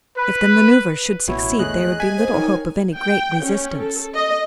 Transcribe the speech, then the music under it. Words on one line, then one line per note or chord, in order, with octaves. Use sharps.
If the manoeuvre should succeed there would be little hope of any great resistance.
B4
A1 B2 E4 F#4 C#5
E2 A3 G#4 C#5 D#5 F#6
G#5 B6
C5
D#4 A#4 C#5 G5
G5
C#4
A4
D#5